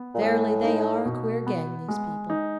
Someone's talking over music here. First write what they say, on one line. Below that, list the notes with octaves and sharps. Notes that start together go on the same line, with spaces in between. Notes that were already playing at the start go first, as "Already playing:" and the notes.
Verily, they are a queer gang, these people.
Already playing: B3
A#2
A2 G#3
D#4
B2
B3
G#3
D#4